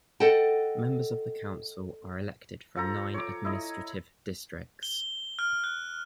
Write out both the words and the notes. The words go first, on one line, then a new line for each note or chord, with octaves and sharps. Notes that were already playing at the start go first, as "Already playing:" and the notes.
Members of the council are elected from nine administrative districts.
A4 D#5 F#5 G5 A5
F3 A4 A#5
C#5 D6
E4 D#5
G7
F6
F#6